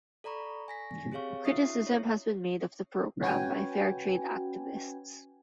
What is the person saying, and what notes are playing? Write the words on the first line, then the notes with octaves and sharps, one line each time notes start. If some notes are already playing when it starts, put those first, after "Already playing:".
Criticism has been made of the programme by fair trade activists.
A4 D5 A#5 B5 C#6
G#5 A#6 B6
C4 G4 G#4 C#5 F5 C#6
C#4 D#4 F4 E5 D#6 C7
E4 C#5
C#4 F#4 B4 G5 G#5